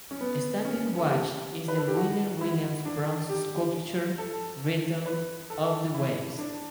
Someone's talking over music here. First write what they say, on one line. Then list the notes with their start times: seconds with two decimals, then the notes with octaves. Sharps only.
Standing watch is the Wheeler Williams' bronze sculpture Rhythm of the Waves.
0.11 C#4
0.21 B3
0.65 C#4
0.98 A4
1.09 G4
1.68 B4
1.78 A4
1.88 G4
1.97 F#4
2.41 E4
2.85 D4
3.29 G4
4.18 A4
5.06 B4
5.50 A4
5.94 E4
6.39 D4